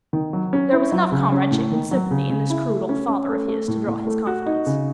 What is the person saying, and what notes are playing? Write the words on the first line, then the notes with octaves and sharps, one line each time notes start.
There was enough comradeship and sympathy in this crude old father of his to draw his confidence.
D#3
F#3
C#4
E4
F#3
C#3
C#4
A2
D#3
F#3
C#3
C#3
E4
A3
C#4
C#4
A3
A3
A2
A2
A3
F#4
D#4
C#3